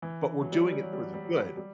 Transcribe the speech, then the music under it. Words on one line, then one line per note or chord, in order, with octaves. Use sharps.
but we're doing it for the good.
E3
F#3
G3
F#3
G3
F#3
G3
F#3
G3
F#3
G3